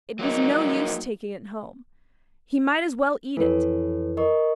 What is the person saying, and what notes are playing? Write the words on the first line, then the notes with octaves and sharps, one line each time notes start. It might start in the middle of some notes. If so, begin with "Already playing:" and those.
It was no use taking it home, he might as well eat it.
F#3 A#3 D#4
F2 E3 A4 B4 C#5
A#4 D#5 C#6